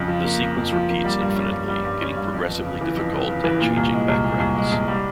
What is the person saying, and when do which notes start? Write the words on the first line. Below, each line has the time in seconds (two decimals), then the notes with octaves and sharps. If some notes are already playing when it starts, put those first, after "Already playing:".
The sequence repeats infinitely, getting progressively difficult and changing backgrounds.
Already playing: F2 C#3
0.08 F3
0.24 A#3
0.41 C#3
0.56 F2
0.72 F3
0.88 A#3
1.04 G3
1.21 G2
1.36 C#4
1.52 G2
1.68 G3
1.85 G2
2.01 C#4
2.16 G2
2.33 F2
2.49 G1
2.65 C#3
2.81 E3
2.97 F2
3.12 G1
3.28 C#3
3.44 E3
3.60 A#2
3.77 C2
3.93 G#3
4.09 C2
4.24 A#2
4.40 C2
4.56 G#3
4.72 C2
4.88 G3